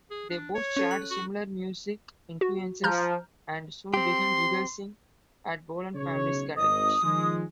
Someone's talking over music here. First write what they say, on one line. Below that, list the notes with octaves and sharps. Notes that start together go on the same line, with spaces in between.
They both shared similar music influences and soon began rehearsing at Bolan family's garage.
G#4
D4
C#5
C#4 A4
F#6
F#4
F#4
F3 A#5 F6 G6
C4 G4 C6
B1 C#3 C#5
G#1 D#5 D#6
D#3 F3 G#3